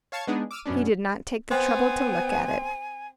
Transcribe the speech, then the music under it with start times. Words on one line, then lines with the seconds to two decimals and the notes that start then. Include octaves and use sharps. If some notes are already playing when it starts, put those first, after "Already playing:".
He did not take the trouble to look at it.
0.12 C#5 F5 A5 C#6 G#6
0.27 G#3 B3 D4 D#4 G#4
0.51 D6 E6 F6 D#7
0.66 F#2 B2 B3 C#4 D4
1.51 B3 C4 C5 G#5